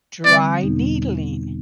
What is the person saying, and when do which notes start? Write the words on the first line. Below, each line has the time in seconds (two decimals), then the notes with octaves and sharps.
dry needling?"
0.25 D3 G3 C4 D5
0.62 E2 B2 G3 B3 D#4